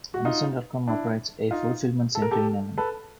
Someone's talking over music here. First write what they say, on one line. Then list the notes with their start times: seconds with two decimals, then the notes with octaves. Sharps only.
Amazon dot com operates a fulfillment center in Avenel.
0.14 F#4
0.25 D#4 F4
0.88 D4 E4
1.51 D#4 F4
2.15 A4
2.22 A#4
2.31 G4 A4
2.78 A4 B4